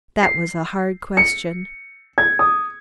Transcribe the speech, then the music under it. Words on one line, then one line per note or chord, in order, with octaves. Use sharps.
That was a hard question.
C7
C#7
G#6
D#6